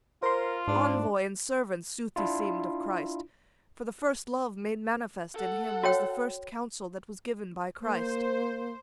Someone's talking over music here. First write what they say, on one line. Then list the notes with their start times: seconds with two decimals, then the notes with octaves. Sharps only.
Envoy and servant sooth he seemed of Christ, For the first love made manifest in him Was the first counsel that was given by Christ.
0.23 F4 A#4 C5 C6
0.67 G#2 D4
2.16 D4 E4 F4
5.34 A4 F#5
5.83 F#4 C#5 G5
7.81 A#3 C5